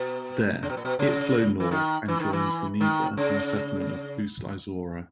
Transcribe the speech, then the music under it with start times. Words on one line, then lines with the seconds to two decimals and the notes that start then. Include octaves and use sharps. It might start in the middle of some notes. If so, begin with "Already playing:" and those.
There, it flow north and joins the Neva in the settlement of Ust-Izhora.
Already playing: B2
0.63 C#3
0.70 B2
0.77 A#2
0.85 B2
0.99 C#3
1.60 E3
1.71 D#3
2.08 E3
2.20 D#3
2.33 E3
2.80 D#3
3.17 C#3